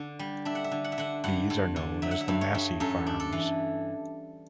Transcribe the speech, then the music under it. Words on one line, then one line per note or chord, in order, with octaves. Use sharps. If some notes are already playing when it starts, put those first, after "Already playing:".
These are known as the Massey Farms.
Already playing: D3
G3
D4 E5
F#5
E5
D3
F#5
E5
D3 F#5
G2 F#5
G2
D3
F#3 E5
F#5
E5
G2
C#5
G2
F#2 A4
D4
A4
E3